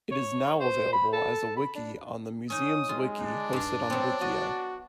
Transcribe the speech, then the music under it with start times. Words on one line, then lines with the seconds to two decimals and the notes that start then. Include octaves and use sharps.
It is now available as a wiki on the "MuseumsWiki", hosted on Wikia.
0.12 C#5
0.60 C5
0.93 B5
1.13 A4
1.57 B5
1.75 D4
2.50 C#4 D#4 D#6
2.89 G#3 F4
3.21 D4
3.53 G2 F5
3.90 F#3 B3 C4
4.21 F#4 D#5